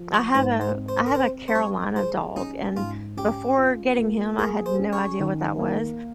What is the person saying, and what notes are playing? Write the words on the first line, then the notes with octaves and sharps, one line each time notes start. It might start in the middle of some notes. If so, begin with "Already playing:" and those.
I have a I have a Carolina dog, and before getting him, I had no idea what that was,
Already playing: F3
C#5
G#2 C5
C5
C4
C5
A#4
C4 C5
C5
G3 C#5
G#4 C5
C#4 D#4
G#2 F4
C#4 G4
F4
A#3
G#4 A#4
C5
C#4
C#5
D#3
A#3